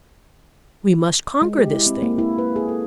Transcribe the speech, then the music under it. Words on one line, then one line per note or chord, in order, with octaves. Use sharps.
We must conquer this thing.
G#3
G4
E4
C4
A#3
E4
B4
G#4
A4